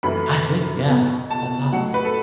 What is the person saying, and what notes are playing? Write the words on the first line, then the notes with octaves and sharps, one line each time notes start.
I do, yeah, that's awesome.
F#2 E3 A3 B5
B1 B2 B3
A5
A1 A2 F#3 F#5
B4
A4